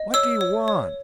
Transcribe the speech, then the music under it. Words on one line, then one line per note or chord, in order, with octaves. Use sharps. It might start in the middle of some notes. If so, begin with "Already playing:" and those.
"What do you want?"
Already playing: D#5
C#5 E6
C#5
C#5